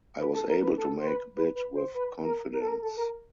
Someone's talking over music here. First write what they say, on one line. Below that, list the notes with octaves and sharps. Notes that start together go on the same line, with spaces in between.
I was able to make bid with confidence.
B4
A4
A#4
B4
A4
C5
B4
B4
B4
C5
B4
A#4
A#4
A4
A#4
A4
A#4